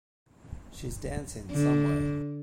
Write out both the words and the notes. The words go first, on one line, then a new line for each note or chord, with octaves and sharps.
She's dancing somewhere.
D3